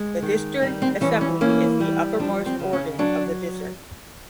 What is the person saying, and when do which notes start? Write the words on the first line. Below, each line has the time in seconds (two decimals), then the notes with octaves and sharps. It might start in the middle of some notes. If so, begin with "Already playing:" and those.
The district assembly is the uppermost organ of the distric.
Already playing: G#3
0.22 D#3
0.62 G3 C4
0.82 C4
1.01 E3 C#4
1.21 C#4
1.41 A#3 C#4
1.80 G3
2.19 F3 D4
2.46 C4
2.59 C#3
2.73 C#4
2.98 F#3 D4